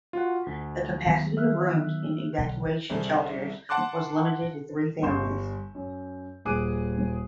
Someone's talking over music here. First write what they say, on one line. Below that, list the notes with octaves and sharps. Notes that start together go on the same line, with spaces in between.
The capacity of rooms in evacuation shelters was limited to three families.
F4 F#4 F#5
D2
D#3 F#3 B3
E5 F6 F#6
B1 D3
C2 C4 G#4 A4
F#5 A5 C6 D6 F#6
G1 G3 C6 C#6 G6 E7
F#2
D#1 G#4 D6 F#6 D#7